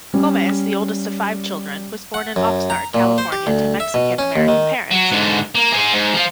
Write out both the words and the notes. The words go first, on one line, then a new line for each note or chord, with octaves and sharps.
Gomez, the oldest of five children, was born in Oxnard, California to Mexican-American parents.
G3 C#4
F#5
F#2
A#5
A#2
C5
G4
D2
E5
B2
C#4
D#2
D#3
F#3
G#2 D3
A#3
G#4 C5
G#2
F3 F4